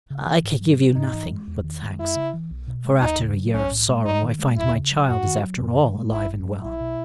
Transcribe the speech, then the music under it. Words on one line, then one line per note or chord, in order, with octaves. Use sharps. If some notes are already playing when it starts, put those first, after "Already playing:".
"I can give you nothing but thanks, for after a year of sorrow I find my child is after all alive and well."
C#3
E3
G#2
F#3
B3
G#2 D#4
E3
G#3
E2
D#3
G#3
F#2 E4
C#3
E3
B1
B2
G#3
D#2 D#4
C#3
F#3
B1 C#4
A2
G#3
G#2 D#4
D#3
G#3
D#2 E4
C#3
F#3
F#2 F#4
D#3
F#3
F#2
D#3
G#3
G#1 E4
G#2
F#3
B1 E4
B2